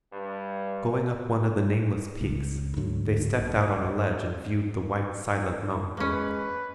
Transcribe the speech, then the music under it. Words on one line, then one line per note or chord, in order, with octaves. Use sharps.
Going up one of the nameless peaks, they stepped out on a ledge and viewed the white, silent mountain-world.
G2
C#2
D2 G#2 D3 F#3
B1 A#2
G#3 A#3 C#4 B4